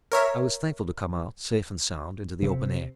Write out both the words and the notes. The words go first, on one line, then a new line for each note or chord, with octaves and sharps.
I was thankful to come out, safe and sound, into the open air.
A#4 C#5 E5
C3